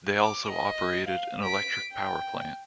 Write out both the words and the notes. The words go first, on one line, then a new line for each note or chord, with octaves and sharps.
They also operated an electric power plant.
D6
D#5
F5
B6 D7
G5